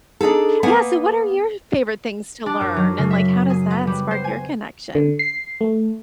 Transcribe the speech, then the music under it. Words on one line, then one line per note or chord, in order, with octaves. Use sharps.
Yeah, so what are your favorite things to learn, and, like, how does that spark your connection?
D4 D#4 G#4 A4
A#3 B3 F#5 G#5
D4
F#2
F#3
C#3
E5
G#4
B3
G3
C5
G#5
D3
C7
A3